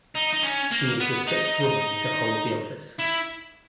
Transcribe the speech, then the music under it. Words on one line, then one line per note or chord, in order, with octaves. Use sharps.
She is the sixth woman to hold the office.
D#4
D#4
C#4
A#3
B3
D#4
E4